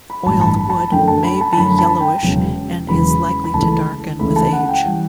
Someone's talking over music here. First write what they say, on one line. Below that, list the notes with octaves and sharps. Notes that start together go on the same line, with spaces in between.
Oiled wood may be yellowish and is likely to darken with age.
B5
A1 G2 E3 G3 A5
A5
B5
A5
F#2 D3 F#3 A3 G5
A5
B5
A5
A5
F#2 D3 F#3 A3 B5
A5
G5
E1 E2 C#3 F#3
E1 E2 C#3 F#3 B5
B5
C#2 C#3 E3 A3 A5
C#2 C#3 E3 A3 B5
A5
F#5
G5
E3 G3